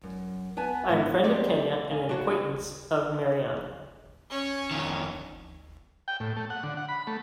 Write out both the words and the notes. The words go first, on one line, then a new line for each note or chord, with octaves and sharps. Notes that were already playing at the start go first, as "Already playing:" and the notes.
I am friend of Kenya and an acquaintance of Marianne.
F#2
B3 B4 G#5 A5
G#2 F3 B3 E4
A3 C4 G4 G#4 D5 D#5
F5 G#5
D4 F#4 C#5
C#4 C#5
F2 D#3
G5
A2
A3
F#5
D3
F#5
B5
A3